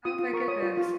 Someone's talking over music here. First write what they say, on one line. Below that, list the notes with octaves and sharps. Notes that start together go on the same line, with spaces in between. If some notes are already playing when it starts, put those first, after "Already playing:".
Oh my goodness.
F4 D#6
F4
A#4 C#6
C#5 D#6
F4
F4